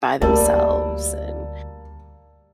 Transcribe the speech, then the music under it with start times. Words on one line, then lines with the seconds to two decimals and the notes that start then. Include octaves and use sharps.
by themselves and,
0.22 D2 G3 A#3 A5 E6